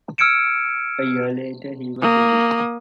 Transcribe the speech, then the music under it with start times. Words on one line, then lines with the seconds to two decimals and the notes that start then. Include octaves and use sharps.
A year later, he was released.
0.18 E6 F6 G#6 C#7 D7 E7
2.02 A#3 D#6